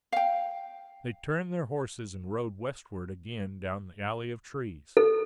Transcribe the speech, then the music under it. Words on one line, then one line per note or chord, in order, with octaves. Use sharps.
They turned their horses and rode westward again down the alley of trees.
F5 G5
A4